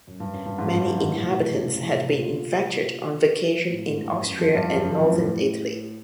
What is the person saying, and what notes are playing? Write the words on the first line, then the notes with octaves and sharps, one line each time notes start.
Many inhabitants had been infected on vacation in Austria and Northern Italy.
F#2
G2
F#2
G2
G#2
G2
F#2
G#2
A2
B2
C3
C3
C#3
C3
C3
C3
A#2
A2
G#2
G2
F#2
F2
G2
F#2
F2
F#2
A2